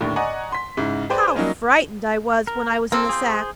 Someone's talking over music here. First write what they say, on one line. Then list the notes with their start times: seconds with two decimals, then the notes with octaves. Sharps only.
How frightened I was when I was in the sack!
0.01 D#2 A2 D3
0.16 D5 D#5 F#5 G#5 A#5 C#6
0.52 C6 B6
0.77 G#2 C#3 E4
1.10 G#4 B4 C5 D5 G5 G#5
1.35 F#3 G3 A#3 C#4 D#4 F4
2.47 A#4
2.92 F3 A#3 C4 A4
3.09 G#4 C5